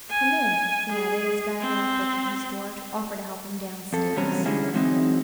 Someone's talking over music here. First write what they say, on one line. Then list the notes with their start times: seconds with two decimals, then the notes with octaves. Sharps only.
Come in,' he added, as Guy knocked at his door, to offer to help him down-stairs.
0.10 G#5
0.92 G#4
1.61 C4
3.93 F2 A4
4.16 E2 C3 F#3 G3 C#4 A#5
4.46 D3 G3 G#3 C#4 E4 G#4
4.73 E3 F#3 G#3 C4 D#4